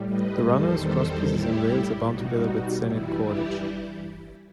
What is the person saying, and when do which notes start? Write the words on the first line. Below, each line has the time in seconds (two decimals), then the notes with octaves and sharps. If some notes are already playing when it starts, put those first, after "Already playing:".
The runners, crosspieces, and rails are bound together with sennit cordage.
Already playing: A2 G3
0.08 B4 D#5
0.48 E2 D#3 G3 A4 C5
0.87 A4 C5
1.26 A2 G3 E4 G4
2.05 B2 G3 D#4 F#4
2.84 G2 E3 G3 E4
3.24 E4 G4